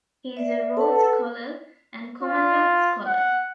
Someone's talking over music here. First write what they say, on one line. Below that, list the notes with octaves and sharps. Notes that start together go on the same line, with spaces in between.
He is a Rhodes Scholar and Commonwealth Scholar.
D5 E5
A4 B4 F#5 A5
F4
F#5